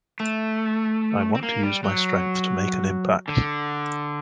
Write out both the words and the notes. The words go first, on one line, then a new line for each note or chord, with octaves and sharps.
I want to use my strength to make an impact.
A3
C4
A#3
G3
F#3
D3